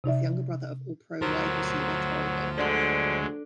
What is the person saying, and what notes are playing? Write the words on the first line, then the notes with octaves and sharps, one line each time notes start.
He is the younger brother of All-Pro wide receiver Torry Holt.
C3 D#4 D5 E5
D2 F3 F#3 A#4
D3 F#3 G#3